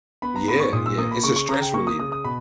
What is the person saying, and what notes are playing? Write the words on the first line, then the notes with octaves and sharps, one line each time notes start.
Yeah, yeah. It's a stress reliever.
B3 B5
A#5
G#2 B5
C#6
A#2 D#6
E6
A#3 D#6
B5
C#3 C#6
C#6
C#3 A#5
G5
A#3 C#6
D#6
C#3 D#6
D#6
B2 B5